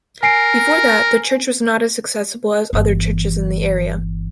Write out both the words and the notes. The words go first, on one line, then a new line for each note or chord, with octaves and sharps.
Before that, the church was not as accessible as other churches in the area.
A#4 G#5 C7 D7
G1 E3